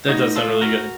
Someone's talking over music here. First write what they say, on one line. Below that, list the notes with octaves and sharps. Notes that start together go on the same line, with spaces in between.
That does sound really good.
A2 D#4 F#4
F4 A4
A3
F#4 A#4